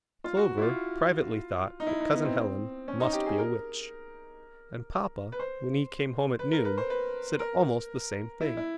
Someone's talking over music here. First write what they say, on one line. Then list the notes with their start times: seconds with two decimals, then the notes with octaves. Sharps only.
Clover privately thought that Cousin Helen must be a witch; and Papa, when he came home at noon, said almost the same thing.
0.24 F4
0.37 F#4
0.58 E4
0.62 F4
1.80 D#4
1.87 E4
2.00 D#4
2.12 B3
2.25 C4
2.88 C#4
3.00 D#4
3.13 G4
3.26 G#4
3.38 A#4
5.32 B4
5.39 C5
6.39 B4
6.51 A#4
6.65 B4
6.78 C5
6.90 B4
7.39 A#4
8.41 E4
8.57 E4